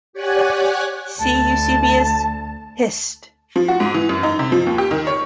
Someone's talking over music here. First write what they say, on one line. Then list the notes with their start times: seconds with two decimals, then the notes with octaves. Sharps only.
See Eusebius, Hist.
0.13 G4 C#5 D5 F#5 G#5 F#6
1.19 D2 A5
3.56 F3
3.68 F#4
3.80 G#2
3.94 E3
4.09 F#2
4.23 D#4
4.39 C3
4.52 F3
4.66 D#2
4.78 G4
4.91 D#3
5.07 C#5